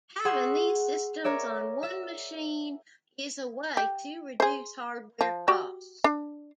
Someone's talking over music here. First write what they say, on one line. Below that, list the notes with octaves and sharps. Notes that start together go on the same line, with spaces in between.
Having these systems on one machine is a way to reduce hardware costs.
G#4 F#5 C6 C#6 E6
A#4 C#5 D5 E5
E5
G4
G#4 C5
F3
F#4 G4 D5
D4